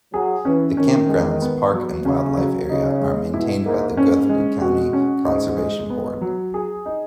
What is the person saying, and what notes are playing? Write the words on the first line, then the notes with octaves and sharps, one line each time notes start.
The campgrounds, park, and wildlife area are maintained by the Guthrie County Conservation Board.
F#3 G#4
E3 C#4
D#3 C#4
G#3
B3
F#3
C#3 C#4
F#3
C#3 D#4
G#3
B2 E4
G#2 A#3
G#2 C#4
G#3
B2 F#4
C#4
G#2 D#4
G#3
B3
F#3
G#4
D#4